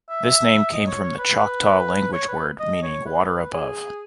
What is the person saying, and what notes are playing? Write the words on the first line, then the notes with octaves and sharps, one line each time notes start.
This name came from the Choctaw language word meaning water above.
E5
E5
D#5
C#5
C#5
B4
C#5
B4
D#5
C#5
B4
G#4